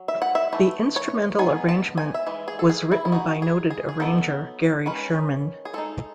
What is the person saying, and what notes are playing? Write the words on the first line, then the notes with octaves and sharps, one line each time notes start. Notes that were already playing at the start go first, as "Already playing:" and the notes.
The instrumental arrangement was written by noted arranger Gary Sherman.
Already playing: F#3
E5
F#5
E5
E3 A3
C#5
G#3 B3 D#4 G#5
A5
G#5
E5
E3 G#3
G#4
A4
G#4
E4
E4
G#3 D#4 F#4
G#4
G#4
G#4
F#3 B3 D#4 A4
D#3 G#3 C#4 B4
G#4
G#3 D#4 A4